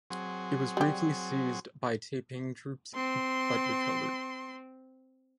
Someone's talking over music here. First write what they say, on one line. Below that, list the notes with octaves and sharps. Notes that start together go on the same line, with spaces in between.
It was briefly seized by Taiping troops but recovered.
F#3 C4 G#4
G3 G4
C4 C6